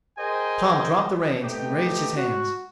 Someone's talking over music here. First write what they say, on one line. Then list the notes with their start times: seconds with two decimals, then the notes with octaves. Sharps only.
Tom dropped the reins and raised his hands.
0.18 G#4 A#4 C5 D#5 G5 G#5
1.42 A3 B3 D#4 G4
2.15 F#4